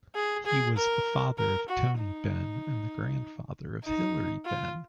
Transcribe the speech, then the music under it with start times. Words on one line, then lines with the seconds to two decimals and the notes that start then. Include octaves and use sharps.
He was the father of Tony Benn and the grandfather of Hilary Benn.
0.15 G#4
0.46 G#4
0.77 A#4
1.38 A#4
1.68 F#4
1.99 D#4
3.84 D#4
4.45 F4